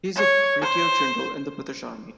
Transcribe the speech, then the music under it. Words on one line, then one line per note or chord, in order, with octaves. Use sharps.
He was a Brigadier-General in the British Army.
C#5
C5